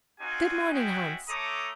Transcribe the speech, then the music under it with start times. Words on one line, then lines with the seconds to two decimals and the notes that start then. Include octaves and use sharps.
'Good morning, Hans.
0.20 C4 D#4 F#4 F5 G#5
0.72 G#3 C#4 F#4 E5 G5
1.29 A3 A4 C#5 A#5 D6 D#6